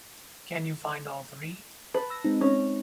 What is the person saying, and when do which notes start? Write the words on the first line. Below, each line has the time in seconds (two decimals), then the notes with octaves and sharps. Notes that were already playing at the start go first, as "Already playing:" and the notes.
Can you find all three?
1.94 B4 A5
2.10 E6 A#6
2.25 G#3 C4 D#4
2.41 C#4